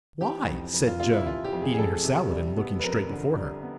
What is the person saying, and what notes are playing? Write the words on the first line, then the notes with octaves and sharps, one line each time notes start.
"Why?" said Joe, eating her salad and looking straight before her.
E3 G4
F2
F2
F4
C3 F4
E4
E3 F4
G4
F2
G#4
G#4
F2 A4
C3
G3
B3
B4
F2 A#4
D3
G3
B3